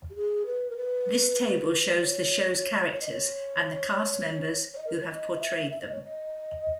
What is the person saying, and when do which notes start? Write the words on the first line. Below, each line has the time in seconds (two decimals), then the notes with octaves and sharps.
This table shows the show's characters and the cast members who have portrayed them.
0.10 G4
0.15 G#4
0.46 B4
0.70 A#4
0.77 B4
2.00 C#5
2.93 C#5
3.02 D#5
3.11 C#5
4.74 C#5
4.78 D#5
4.87 A#4
4.94 B4
5.01 C#5
5.09 D#5
5.39 E5
5.70 E5
5.81 D#5
5.93 C#5
6.04 D#5